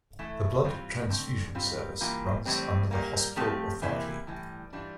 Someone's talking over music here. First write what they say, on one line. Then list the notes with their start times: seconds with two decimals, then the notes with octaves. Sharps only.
The blood transfusion service runs under the Hospital Authority.
0.19 E3 A3 E4 A4
0.64 E3 G3 C4 F4
1.09 D3 A3 C4
1.55 G3 C4 F4
2.01 E3 G3 A#3 F4
2.45 A2 E3 G3 C4
2.91 A#2 G3 A#3
3.36 F3 A3 C4 G4
3.82 C3 E3 A#3 E4
4.27 A2 E3 G3
4.73 E3 G3 D4 F4